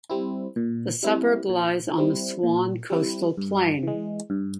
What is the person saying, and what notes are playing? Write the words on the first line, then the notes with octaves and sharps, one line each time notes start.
The suburb lies on the Swan Coastal Plain.
G3 C4 E4
A#2
G3 C4 E4
A#2
G3 C4 E4
A#2
G3 C4 E4
G2
E3 G#3
G2